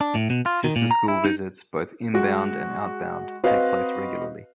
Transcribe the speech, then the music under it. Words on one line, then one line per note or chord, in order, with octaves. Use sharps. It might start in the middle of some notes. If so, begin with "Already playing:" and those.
Sister school visits, both inbound and outbound, take place regularly.
D4
A2
B2
F4
D#3
A#2
A#5
E4
D#4
G#3 F#4
C4 F#4 B4 D#5 F5